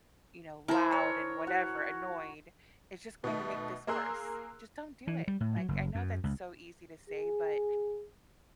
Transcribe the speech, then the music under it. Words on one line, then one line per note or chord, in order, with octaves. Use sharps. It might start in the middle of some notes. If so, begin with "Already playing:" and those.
you know, loud and whatever annoyed, it's just going to make this worse. Just don't do it, like, I know that's so easy to say, but
E4 A#4 C5 G#5 A5
C#5 A#5
F#4
B2 D#3 A3
A#3 G#4 A#4 C6 E6 F#6
E3
G3
A2
F#3
F#1
F#2
C#2
G#4